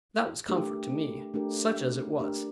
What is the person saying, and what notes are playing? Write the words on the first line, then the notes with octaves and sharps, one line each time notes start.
That was comfort to me, such as it was.
A3 D4 G4 A#4
A3 D4 G4 A#4
A3 D4 G4 A#4